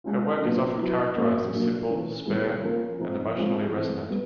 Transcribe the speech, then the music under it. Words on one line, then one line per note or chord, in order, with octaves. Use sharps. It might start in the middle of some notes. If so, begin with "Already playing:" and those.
Her work is often characterized as simple, spare, and emotionally resonant.
G#3 C#4 F4
A#2 F#3 B3 D4 F4
F#3 B3 E4
A#2 F3 A#3 C#4 F#4
A#2 F#3 A#3 D4
E3 A3 C#4
D#3 G3 B3 E4 G#4
F3 A#3 C#4 F4 A#4
F3 A3 C4 D#4
F3 G#3 C4 F4
E3 A3 C4
G3 B3